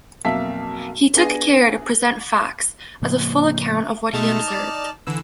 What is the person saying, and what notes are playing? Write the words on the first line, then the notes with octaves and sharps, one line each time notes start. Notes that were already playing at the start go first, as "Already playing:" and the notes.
He took care to present facts, as a full account of what he observed.
B1 F2 A#3 E5 A5 B6
B3 D4 G#4 A#6 D#7
A2 C#3 F3 A#3
B2 G#3 A3 D#4 A5 F6
D5
D3 E3 E6